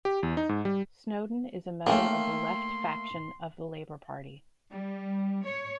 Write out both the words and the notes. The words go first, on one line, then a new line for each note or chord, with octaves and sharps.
Snowdon is a member of the Left faction of the Labor Party.
G4
E2
D#4
G#2
G3
D#3 A3 A#3 C#4 G#4 F5 G5 C6
G3
C#5